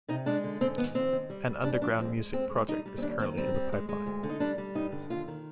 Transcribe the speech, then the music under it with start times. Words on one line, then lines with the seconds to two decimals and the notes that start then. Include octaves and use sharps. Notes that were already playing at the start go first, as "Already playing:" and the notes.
An underground music project is currently in the pipeline.
0.08 C3 D#4
0.26 G#3 D4
0.44 D3
0.60 G#2 C4
0.78 D#3 B3
0.95 F2 C4
1.13 D#3
1.30 G3
1.47 G3
1.64 G#2 D4
1.82 F3 D4
1.99 G#3 C4
2.17 G#3
2.33 G#3 C4
2.51 G#3
2.68 G3 D#4
2.86 G3
2.98 C4
3.02 D#2 D4
3.19 D#3 C4
3.37 G3 C4
3.54 G3
3.72 G#3
3.89 G#3
4.06 D2
4.23 D3
4.29 D#4
4.40 G3 D4
4.58 G3
4.75 G2 D#4
4.92 D3
5.10 D#2 F4
5.28 D#3